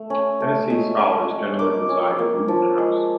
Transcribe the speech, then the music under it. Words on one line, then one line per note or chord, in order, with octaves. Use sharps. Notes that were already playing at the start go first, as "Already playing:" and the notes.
Hennessy Scholars generally reside in Wotton house.
Already playing: A3
C#4
A3
G#3 D#6
C#4
G#3
A#3 D6
C#4
A#3
F3
G#3